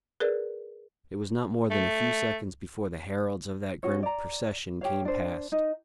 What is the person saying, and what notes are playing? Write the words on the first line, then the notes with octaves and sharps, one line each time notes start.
It was not more than a few seconds before the heralds of that grim procession came past.
G#4 A#4 B4 D5
A3
C#4 F#4 C#5
D5 A#5
G4 C#5 F5
D4 C5
D#4